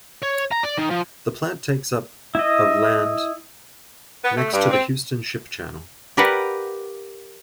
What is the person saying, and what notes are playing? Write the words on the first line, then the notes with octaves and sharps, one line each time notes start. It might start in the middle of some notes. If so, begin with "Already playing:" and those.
The plant takes up of land next to the Houston Ship Channel.
C#5
A#5
D5
D#3
F3
E4 D#5
B3
A3
G2
C4
G4 A#4 B4 D5 F5 F#5